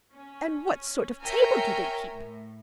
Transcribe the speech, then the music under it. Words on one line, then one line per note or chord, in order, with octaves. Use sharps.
And what sort of table do they keep?
C#4
A#4 C#5 E5 G5 G#5 A#5
A2